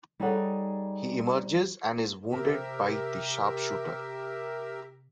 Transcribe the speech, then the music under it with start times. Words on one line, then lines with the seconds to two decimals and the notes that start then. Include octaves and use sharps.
He emerges and is wounded by the sharpshooter.
0.20 G3 D#4 G#4 A4 C#5 F#5
2.32 C3 G4 A#4 E5